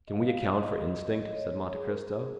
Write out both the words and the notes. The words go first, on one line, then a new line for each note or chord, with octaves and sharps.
"Can we account for instinct?" said Monte Cristo.
D#5
F5
F5
D#5
D#5
D#5
C#5
G#4
A#4
G#4